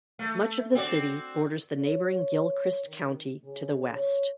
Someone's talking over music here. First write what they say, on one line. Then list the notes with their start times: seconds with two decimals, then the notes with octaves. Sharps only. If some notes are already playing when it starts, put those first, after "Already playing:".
Much of the city borders the neighboring Gilchrist County to the west.
0.19 A3
0.75 C4 F#4 D5
1.76 C#5
2.84 D#3
3.44 C#3
3.95 C#5